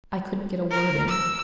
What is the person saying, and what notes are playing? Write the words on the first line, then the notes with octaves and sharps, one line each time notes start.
I couldn't get a word in.
A#4
E6